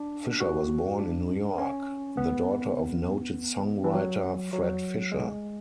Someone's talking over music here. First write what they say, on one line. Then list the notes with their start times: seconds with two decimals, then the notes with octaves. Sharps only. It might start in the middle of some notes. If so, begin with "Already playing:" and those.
Fisher was born in New York, the daughter of noted songwriter Fred Fisher.
Already playing: D4
0.40 F#4
0.99 D4
1.58 C#4
2.17 B3
3.84 E3
3.94 F#3
4.53 F#3
5.12 G#3